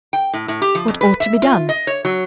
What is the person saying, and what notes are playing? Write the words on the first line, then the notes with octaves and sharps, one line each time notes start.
What ought to be done?
G5
A2
A2
G4
F3
F2
B4
E5
F4
D#5
C#5
F#3